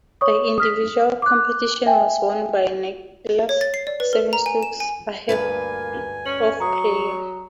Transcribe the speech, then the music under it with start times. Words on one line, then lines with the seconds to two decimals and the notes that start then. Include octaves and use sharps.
The individual competition was won by Nicklaus seven strokes ahead of Player.
0.21 C#5 C#6 D#6
0.58 D#6 F6 B6
1.22 D6 F#6
1.86 E5 G5 G#5
3.49 C#5
3.61 A6
3.74 C7
3.87 D5
4.00 B4
4.13 A#4
4.33 A#5
4.46 G#5
4.63 E7
4.80 G#5
5.29 D2 G2 A#3 B4 G#5
6.26 C#4 C#5 F#7
6.60 F#3 A#5 C#6 D#6